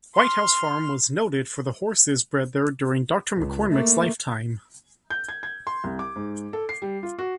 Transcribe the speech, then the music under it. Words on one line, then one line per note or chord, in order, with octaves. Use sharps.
White House Farm was noted for the horses bred there during Doctor McCormick's lifetime.
C6 F6
C#2
A3 A#3
G6
G#6
G#6
C6
C2
D6
G#2
A4
C7
G3
F4
F#4